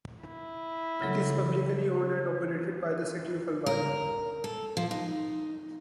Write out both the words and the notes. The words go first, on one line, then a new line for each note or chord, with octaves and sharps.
It is publicly owned and operated by the City of Albany.
E4
C#3 F#3 A4
A#4
A4
F3
D#4